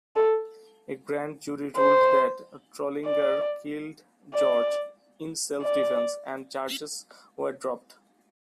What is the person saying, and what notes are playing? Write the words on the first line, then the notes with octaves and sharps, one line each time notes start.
A grand jury ruled that Trolinger killed George in self-defense, and charges were dropped.
A4
C5
D5
D5
D5